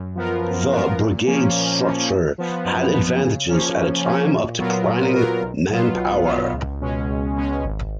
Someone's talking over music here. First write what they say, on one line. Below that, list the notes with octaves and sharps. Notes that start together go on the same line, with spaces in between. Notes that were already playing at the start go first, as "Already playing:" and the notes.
The brigade structure had advantages at a time of declining manpower.
Already playing: F#2
F3 B3 F4 A#4
F#2
F3 B3 F4 A#4
A#2
F3 A#3 C#4
A#2
F3 A#3 C#4
F#2
F3 B3
F#2
F3 B3
C#3
F3 A#3 C#4
C#3
F3 A#3 C#4
A#2
F#3 B3 F4 A#4
A#2
F#3 B3 F4 A#4
B1
B2 F#3 B3 F4
B1
B2 F#3 B3 F4
C#2
B2 G#3 C#4
C#2
B2 G#3 C#4
G#1